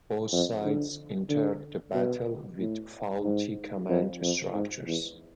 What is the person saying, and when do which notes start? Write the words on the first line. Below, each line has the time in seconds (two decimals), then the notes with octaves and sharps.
Both sides entered the battle with faulty command structures.
0.33 F2
0.65 D3
1.29 D3
1.94 B2
2.59 A2
3.24 G#2
3.90 F2
4.21 F2
4.54 G#2
4.87 E2